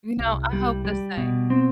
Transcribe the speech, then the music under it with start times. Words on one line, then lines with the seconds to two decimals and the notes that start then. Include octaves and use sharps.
You know, I hope the same.
0.20 C2
0.53 G3
0.85 G3
1.18 B2
1.50 C4